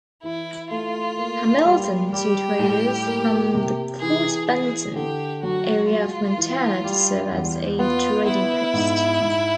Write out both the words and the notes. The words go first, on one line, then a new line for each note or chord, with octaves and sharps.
Hamilton-two traders from the Fort Benton area of Montana-to serve as a trading post.
E3 E4
A3 F4
A#3
G3
G3 G4
A2
A#3
C3
E3 G#4
E3 G#4
D3 G4
F#3 F#4
G#3 F4
E3
G3
E2
B3 F4
B3 E4
G#2
G#2